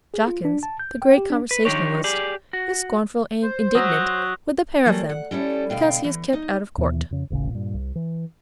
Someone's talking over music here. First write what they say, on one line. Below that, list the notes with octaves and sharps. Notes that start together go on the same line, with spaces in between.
Jawkins, the great conversationalist, is scornful and indignant with the pair of them, because he is kept out of court.
G#4
F4
D4
A5
G6
G5
G4
D4
B4
D#3 F3 D4 D#4 G4 C#5
G4 G#4 D5
F#4
C5
F#3 D#6 E6 A#6
E3 F#3 G3 A3 A#3
F#5
G3 C#4 E4 A4
D2 B2 F5 G5
E3
D#4
D#2 B2 E3 B3
F2 C#3
D#1 A1 C#3 C#4
G2 A#2
C2
E3